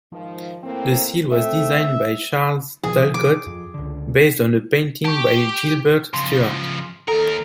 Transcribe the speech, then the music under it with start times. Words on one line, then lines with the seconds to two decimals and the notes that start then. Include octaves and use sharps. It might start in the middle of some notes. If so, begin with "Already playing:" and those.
The seal was designed by Charles Talcott, based on a painting by Gilbert Stuart.
0.13 G#2 D#3 F3
0.63 A2 A#3 C4
1.32 A3 C4 E5
2.83 B2 D#3 F3 G#4
3.14 D6
3.46 F2
3.74 C#2 D3
5.05 G4 A5 C#6
6.14 C#3 F3 C6
7.08 D#2 A4 A#4 A#5